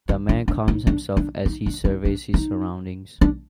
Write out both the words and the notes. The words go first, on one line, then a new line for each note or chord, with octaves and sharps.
The man calms himself as he surveys his surroundings.
D4
D4
D4
D#4
D4
D4
D#4
D4
D#4
D4
D#4
D4